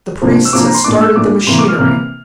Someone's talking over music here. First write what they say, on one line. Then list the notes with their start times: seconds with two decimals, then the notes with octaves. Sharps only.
The priests had started the machinery.
0.22 C3 F3 A#3 D4
0.45 E6
0.53 C3 F3 A#3 D4 D6
0.64 A#5
0.74 C6
0.84 A#2 A3 D4 D6
1.01 E6
1.16 A#2 A3 D4 D6
1.47 C3 E3 A#3 C6
1.59 D6
1.68 F6
1.79 C3 E3 A#3 F6